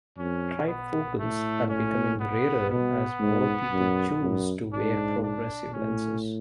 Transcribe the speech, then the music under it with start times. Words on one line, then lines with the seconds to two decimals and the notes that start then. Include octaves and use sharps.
Trifocals are becoming rarer as more people choose to wear progressive lenses.
0.18 F2 C#4
0.68 B3
1.19 A2 A3
1.70 C#4
2.20 B3
2.70 B2 B3
3.20 G#2
3.72 F#2
4.22 F#2
4.73 G#2 D4
5.23 D4
5.73 A2 C#4